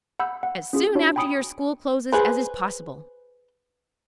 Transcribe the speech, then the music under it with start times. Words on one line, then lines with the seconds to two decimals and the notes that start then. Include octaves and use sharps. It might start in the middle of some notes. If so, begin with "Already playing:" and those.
"As soon after your school closes as is possible."
0.20 F#5 B5 E6 G6
0.43 F#5
0.73 C#4 F4 G#4
0.95 D4 F4 F#4 C#5
1.16 G5 G#5 B5 D#6 C#7 D7
2.12 G#4 B4 C5